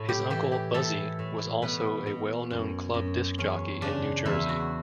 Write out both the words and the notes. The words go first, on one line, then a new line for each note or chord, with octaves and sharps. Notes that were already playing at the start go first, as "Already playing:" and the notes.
His uncle, "Buzzy", was also a well-known club disc jockey in New Jersey.
Already playing: A2
G4
E3 G4
G4
E3 A4
A2
B2 B4
B2
F#2
F#2
E2 C#4
C#3 D4
E2 E4
F#4